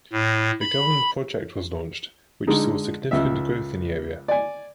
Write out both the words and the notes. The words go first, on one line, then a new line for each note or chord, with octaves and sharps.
A government project was launched which saw significant growth in the area.
A2
B5
D3 G#3 D#4
C#2 E5
D5 G#5